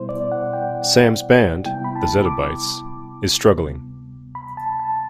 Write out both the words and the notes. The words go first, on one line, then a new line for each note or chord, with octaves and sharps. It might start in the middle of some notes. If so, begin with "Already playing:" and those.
Sam's band, the Zetta Bytes, is struggling.
Already playing: B2 G3 B3 E4 C5
D5
F#5
G5
C3 G3 B3 E4 G5
B5
A5
D6
D2 C3 G3 B3
B5
A5
A5